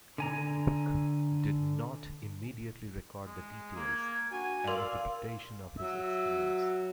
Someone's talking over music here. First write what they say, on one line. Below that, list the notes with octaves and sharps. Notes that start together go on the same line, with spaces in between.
Bucke did not immediately record the details and interpretation of his experience.
D3 G#5 A#5
G#3
A#3 G#6
D4 F#4 G#5
A#4 D5 F5 C6 E6 F#7
F#3 E5